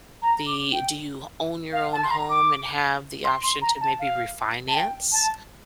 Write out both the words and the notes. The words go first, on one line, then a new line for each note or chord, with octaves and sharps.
the do you own your own home and have the option to maybe refinance?
A#5
D6
G5
F5
A5
C6
A#5
D6
C6
C6
A#5
A5
F5
A5
G5
A5